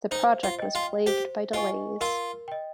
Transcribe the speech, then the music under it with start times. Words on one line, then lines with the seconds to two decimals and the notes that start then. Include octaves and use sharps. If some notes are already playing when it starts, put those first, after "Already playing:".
The project was plagued by delays.
0.11 D#4 C5
0.43 F4
0.59 D#5 G5
0.75 F4
1.06 G4 C5
1.53 F4 D#5 G#5 C#6
2.01 F4 A#4
2.48 D#5 G5